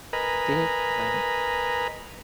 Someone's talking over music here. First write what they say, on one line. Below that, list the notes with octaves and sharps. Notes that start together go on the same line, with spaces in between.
this way
A#4 B4 D#5 G#5 A#5 B5